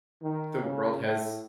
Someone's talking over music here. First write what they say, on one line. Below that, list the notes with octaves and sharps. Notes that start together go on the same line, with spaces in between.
the world has,
D#3
C#3
A2